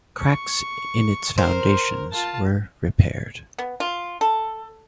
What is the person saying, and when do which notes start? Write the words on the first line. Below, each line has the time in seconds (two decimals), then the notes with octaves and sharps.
Cracks in its foundations were repaired.
0.19 C#6
1.38 A#4 C5
2.12 F4 A5
3.58 B3
3.80 F4
4.21 A4